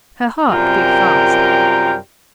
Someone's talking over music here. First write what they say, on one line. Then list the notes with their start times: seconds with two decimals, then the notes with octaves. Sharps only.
Her heart beat fast.
0.50 F#2 C3 G3 F4 A#4 G5